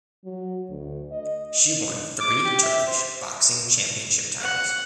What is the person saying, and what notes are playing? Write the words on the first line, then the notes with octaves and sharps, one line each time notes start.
She won three Turkish Boxing Championship titles.
F#3
D2
D#5
D6
G4
E5
C5
F#5